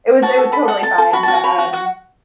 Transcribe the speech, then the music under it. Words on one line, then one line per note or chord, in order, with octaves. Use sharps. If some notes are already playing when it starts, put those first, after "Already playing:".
it was it was totally fine, but, um,
F#4 A5
A4
A4 B5
A4 F#5
A4 A5
A4
F#4 B5
A5
F#4
F#5
C#5 B5
F#4 F#5
F#4 F#5